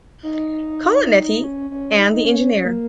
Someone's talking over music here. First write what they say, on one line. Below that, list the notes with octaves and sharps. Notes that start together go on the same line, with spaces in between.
Colonnetti and the engineer.
D#4
C#4
C#4
D#4
D#4
C#4
C#4
A#3